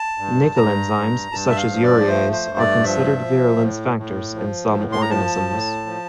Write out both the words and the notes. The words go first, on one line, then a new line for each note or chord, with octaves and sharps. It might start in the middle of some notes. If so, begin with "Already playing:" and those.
Nickel enzymes such as urease are considered virulence factors in some organisms.
Already playing: A5
G2
G2 A#5
G2
G2 A5
E5
F5
F3
D5
A3 C5
C5
G2
D5
F3 E5
F3
A2
A2
F3
A2
C6
A#5
F3 A5
A2
F3